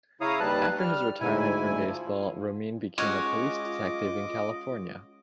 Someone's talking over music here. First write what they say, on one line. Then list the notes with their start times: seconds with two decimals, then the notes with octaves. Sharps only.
After his retirement from baseball, Romine became a police detective in California.
0.21 C#3 E4 C#5 F5 A#5 D#6
0.40 D#2 G3 B4 A5 F#6
0.79 G3 F6
1.20 D2 G#2 E4 G#5
1.86 F3
2.98 G#3 C#4 F4 F#4 C#5 D#5 D6